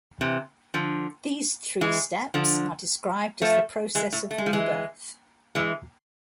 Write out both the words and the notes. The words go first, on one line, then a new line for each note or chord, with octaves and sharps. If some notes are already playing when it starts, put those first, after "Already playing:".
These three steps are described as the process of rebirth.
C3 E3
D3 F3
E3 G#3
D3 F3
F3 A3
E3 G#3
A2
A3
G#3
F3
E3 G#3
E3 G#3